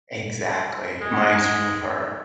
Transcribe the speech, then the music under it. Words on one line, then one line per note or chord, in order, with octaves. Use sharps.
Exactly, minds you of her.
G#3